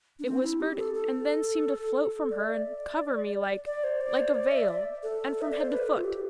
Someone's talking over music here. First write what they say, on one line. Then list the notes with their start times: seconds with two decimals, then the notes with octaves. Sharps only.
It whispered and then seemed to float from her and cover me like--like a veil, and from head to foot.
0.19 D4
0.26 C4
0.43 E4
0.60 G4
0.77 A4
0.94 A4
2.31 D5
2.40 E5
2.50 D5
3.66 D5
3.84 C5
4.01 D5
4.18 C5
4.34 D5
4.51 E5
4.68 D5
5.03 A4
5.41 E5
5.51 D5
5.61 C5
5.71 B4
5.87 A4
5.97 F4
6.04 G4